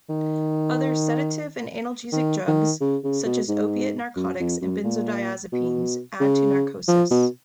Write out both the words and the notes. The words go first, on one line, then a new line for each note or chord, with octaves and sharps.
Other sedative and analgesic drugs, such as opiate narcotics and benzodiazepines, add to narcosis.
D#3
D#3
D#3
C#3
C#3
B2
G#2
F#2
F2
F#2
A#2
B2
C#3
F3
B2